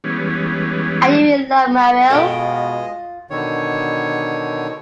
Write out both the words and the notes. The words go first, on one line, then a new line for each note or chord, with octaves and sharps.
Are you in love, Muriel?
E3 G3 G#3 B3 C#4
B2 G#3 F4 A4 D#5 F#5 G5
B2 D3 D#3 C#5